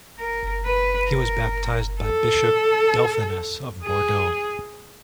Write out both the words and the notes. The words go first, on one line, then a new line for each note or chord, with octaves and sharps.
He was baptized by Bishop Delphinus of Bordeaux.
A#4
B4
A#4
A4
G#4